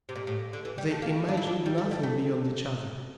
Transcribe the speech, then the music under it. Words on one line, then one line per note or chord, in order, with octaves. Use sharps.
They imagined nothing beyond each other.
C3
A#2
A2
D3
E3
G3
A3
A#3
D4
E4
D4
G3
A3
G3
A3